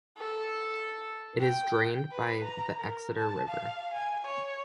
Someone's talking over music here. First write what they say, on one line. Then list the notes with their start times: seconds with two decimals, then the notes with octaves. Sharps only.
It is drained by the Exeter River.
0.18 A4
1.40 G5
2.12 B4
2.44 A#5
2.80 A#4
3.16 A5
3.48 F5
3.94 G#5
4.25 C#5